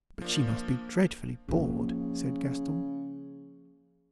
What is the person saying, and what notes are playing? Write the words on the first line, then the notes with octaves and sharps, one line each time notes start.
"But she must be dreadfully bored," said Gaston.
F3 A#3 D4
C#3 F3 A#3